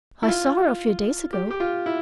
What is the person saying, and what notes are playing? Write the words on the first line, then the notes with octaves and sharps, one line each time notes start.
"I saw her a few days ago."
E4
F4
G4
G4
F4
E4